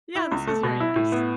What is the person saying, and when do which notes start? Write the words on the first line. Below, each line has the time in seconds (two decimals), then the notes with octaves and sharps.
Yeah, this was very nice.
0.15 E4
0.32 C#2
0.47 A3
0.63 B2
0.80 E4
0.96 A2
1.12 B3